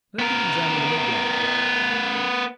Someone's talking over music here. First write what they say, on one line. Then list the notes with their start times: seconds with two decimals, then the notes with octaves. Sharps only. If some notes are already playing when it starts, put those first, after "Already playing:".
Let me examine them again.
0.19 B3 A#4